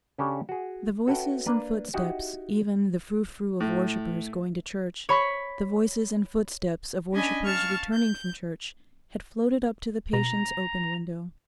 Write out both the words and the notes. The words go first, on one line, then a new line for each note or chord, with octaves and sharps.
The voices and footsteps, even the frou-frou of worshippers going to church, the voices and footsteps of worshippers returning from church, had floated up to the patient's open window.
C#3 C#4 D4 G4 A4
F#4 G#4
C#4 F#4 A4 B4 E5 G5
A#3 D4 B4
D#4 E4 F#4 G4
A2
C#5 B5 C#6 B6
C#4 D4 D#5 G#5 B5
F5 A5 C#6 F6
G6
B2 A#5